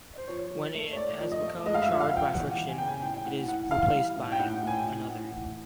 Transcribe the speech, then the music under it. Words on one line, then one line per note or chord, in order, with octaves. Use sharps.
When it has become charred by friction, it is replaced by another.
C5
F3 C#5
F3
A3
C#5
A3 D5
F3
D#5
A3
G#3 D#5
F5
E5
F3
F#5
F5
F3
G5
E2 F#5
E2
G#5
C#3 G5
G#5
A2 G5
G5
E3 F#5
E3 F#5
E3 F5
G3
A2
G5
A2 F#5
A2 G#5
G5
A2
A2 F#5
E3